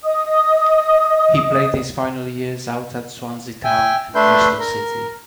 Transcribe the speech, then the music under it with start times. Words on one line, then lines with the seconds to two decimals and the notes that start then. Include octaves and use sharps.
He played his final years out at Swansea Town and Bristol City.
0.04 D#5 D#6
3.64 E5 G5 G#5
4.15 A3 D4 B4 E5 C6 G6
4.59 A#4